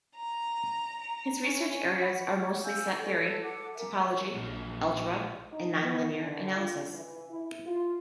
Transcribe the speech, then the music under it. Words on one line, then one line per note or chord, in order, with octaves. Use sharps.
His research areas are mostly set theory, topology, algebra and nonlinear analysis.
A#5
C#4
F#5 B5
C#5
F5 G#5 E6 G6
A4 C#5
A4 F#5 D6
A#4 E5 G#5 D6
A#1 F#2 F3
D#4
B3
D3
F4
E3
E4
F4